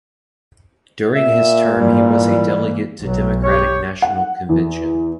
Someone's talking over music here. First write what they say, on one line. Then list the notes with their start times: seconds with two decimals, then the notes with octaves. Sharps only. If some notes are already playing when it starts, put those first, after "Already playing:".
During his term he was a delegate to Democratic National Convention.
1.14 A#2 E5
1.79 G#2 E3 G3 A#3
3.02 B1 F#3
3.43 G4 C#5
4.02 F#5
4.49 E2